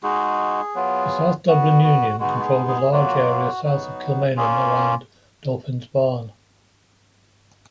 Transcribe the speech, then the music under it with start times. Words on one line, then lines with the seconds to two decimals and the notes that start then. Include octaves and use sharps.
The South Dublin Union controlled a large area south of Kilmainham around Dolphin's Barn.
0.03 G#3 D#4 F#4 G#4
0.75 F#3 B3 F4
1.48 B3 F#4
1.84 F#4
2.20 G#3 B3 D#4 F#4
2.44 G#4
2.68 G#4
2.92 F#3 A#3 F4 F#4
3.64 F#3 B3 D#4 F#4
4.37 A#3 C#4 F4 G#4